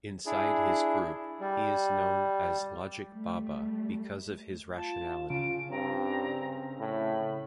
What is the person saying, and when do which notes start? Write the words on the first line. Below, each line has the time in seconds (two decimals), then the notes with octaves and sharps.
Inside his group, he is known as Logic Baba because of his rationality.
0.26 D4 E4 G#4
1.40 G3
3.08 G3 A3
4.76 F4 A5
5.30 C#3 F4 D7
5.71 G2 C4 A#5
6.80 A2 B5